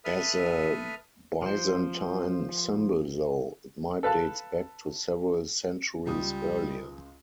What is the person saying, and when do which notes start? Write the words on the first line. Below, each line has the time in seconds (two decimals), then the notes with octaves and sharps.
As a Byzantine symbol though, it might dates back to several centuries earlier.
0.05 A4 B4 E5 D#6 F6
1.42 F3 C5
4.03 A4 B4 F5 A5
6.06 C#2 G3 F4 D#6